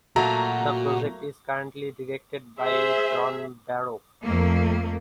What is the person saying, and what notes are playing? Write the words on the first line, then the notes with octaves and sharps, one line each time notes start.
The project is currently directed by John Barrow.
A#2 F#3 A3 A#3 F#4 A#5
G#4 C5 E5
F2 A3 A#3